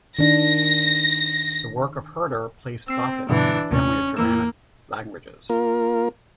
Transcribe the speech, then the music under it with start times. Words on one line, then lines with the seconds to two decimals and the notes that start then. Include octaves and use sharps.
The work of Herder placed Gothic in the family of Germanic languages.
0.19 D#3 D4 A#6
2.88 C4 E6 C7
3.29 G2 B2 D3 E3 D4
3.71 D#2 A2 C3 C#4
4.17 F2 E3 A#3 E6
5.50 A#3 F4 A#4